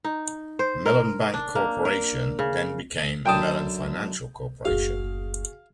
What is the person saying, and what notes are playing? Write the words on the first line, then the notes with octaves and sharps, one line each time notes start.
Mellon Bank Corporation then became Mellon Financial Corporation.
D#4
C5
A#4
D4
A#3
A#4
C#3
F#2 D3 G5 A5 D#6
F#1 D2 F#4 G#4 F5